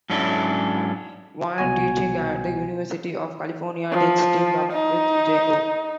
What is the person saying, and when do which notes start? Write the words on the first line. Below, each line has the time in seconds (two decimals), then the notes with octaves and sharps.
While teaching at the University of California, Deetz teamed up with J. O.
0.10 G#2 F#3 C#4 D4 E4 A4
1.58 C2 B2 F#4 G#5
3.92 F3
4.73 D#4